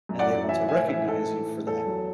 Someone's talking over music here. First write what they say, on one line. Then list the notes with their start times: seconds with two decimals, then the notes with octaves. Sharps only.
and they want to recognize you for that.
0.09 F#2
0.19 D5 F#5
0.29 F#3
0.48 E3 E5 G#5
0.68 A2 E5 G#5
0.88 E3 E5 G#5
1.08 A2 A4
1.27 E3
1.47 A2
1.67 E2 A4
1.87 F#3